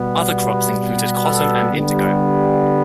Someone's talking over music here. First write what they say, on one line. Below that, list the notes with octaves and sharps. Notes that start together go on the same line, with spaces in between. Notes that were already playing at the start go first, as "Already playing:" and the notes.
Other crops included cotton and indigo.
Already playing: B2 G3 B3
A4
D3 G3 B3